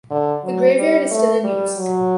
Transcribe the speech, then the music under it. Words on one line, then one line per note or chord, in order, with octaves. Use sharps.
The graveyard is still in use.
D3
F#3
G3
A3
G3
F#3